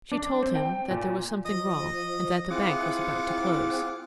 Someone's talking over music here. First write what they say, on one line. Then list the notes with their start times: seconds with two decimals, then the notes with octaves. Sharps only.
She told him that there was something wrong, and that the bank was about to close.
0.12 D4
0.43 C4
0.55 G5
0.91 A#2
1.45 F3 D#5 D#6
2.50 C4 E4 F4 G#4 F#5 D6